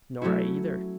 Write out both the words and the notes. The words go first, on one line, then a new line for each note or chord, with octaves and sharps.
"Nor I either."
F#3 A3 C#4 E4 F#4